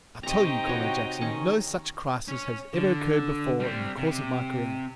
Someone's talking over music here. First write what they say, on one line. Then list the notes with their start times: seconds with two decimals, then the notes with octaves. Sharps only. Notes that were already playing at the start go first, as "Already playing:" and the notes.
I tell you, Comrade Jackson, no such crisis has ever occurred before in the course of my career.'
0.23 C3 D#4 G4 D#5 G5 A#5 C#6
0.67 F#4 C#5
1.21 D#3 C#4 C#6
2.28 C#4 C#5
2.74 D3
3.60 G3 C4
3.97 C3